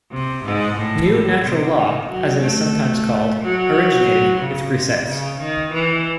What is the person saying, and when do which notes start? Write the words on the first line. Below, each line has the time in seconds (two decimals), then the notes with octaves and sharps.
"New Natural Law" as it is sometimes called, originated with Grisez.
0.11 C3
0.44 G#2
0.77 A2
1.10 A2
1.44 C3
1.77 D#3
2.09 F#3
2.42 A3
3.42 F#3
4.40 C#3
4.74 C3
5.06 C#3
5.39 D#3
5.73 E3